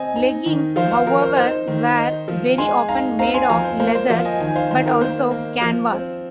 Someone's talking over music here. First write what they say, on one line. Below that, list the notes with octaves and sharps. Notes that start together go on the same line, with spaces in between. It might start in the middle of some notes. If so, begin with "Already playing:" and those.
Leggings, however, were very often made of leather, but also canvas.
Already playing: C4 D#5 G#5
D#4
D#3
F3 C5 F5
C5 F5
F3 A#4
C5
D#4 C5
D#3
D#4
F3
G#3 G#5 C6
D#4 F5 A#5
C4 F5 A#5
G#5 C6
F3 F5 A#5
C5
A#3 C5
C5
F3 C5 F5
D#5 G#5
D#3 D#5 G#5
C5 F5
D#3 C5
A#4
A#3 C5
A#3
F3
C4